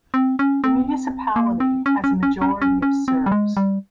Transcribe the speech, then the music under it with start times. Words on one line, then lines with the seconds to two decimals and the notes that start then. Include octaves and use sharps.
The municipality has a majority of Serbs.
0.14 C4
0.39 C#4
0.64 C4
1.36 A#3
1.60 C4
1.86 C#4
2.04 C#4
2.23 C#4
2.41 C#4
2.62 C#4
2.82 C#4
3.08 C4
3.26 G3
3.32 G#3
3.57 G3